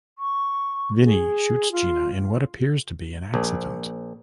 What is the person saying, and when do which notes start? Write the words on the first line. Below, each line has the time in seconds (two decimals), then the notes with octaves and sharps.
Vinnie shoots Gina in what appears to be an accident.
0.19 C#6
1.03 G#4
1.72 F4
3.34 A#1